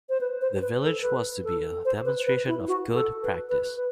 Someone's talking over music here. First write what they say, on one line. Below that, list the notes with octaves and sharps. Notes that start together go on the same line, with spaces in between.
The village was to be a demonstration of good practice.
C5
B4
C5
B4
A4
B4
A4
C5
B4
B4
E4
F#4
A4
B4
B4
B4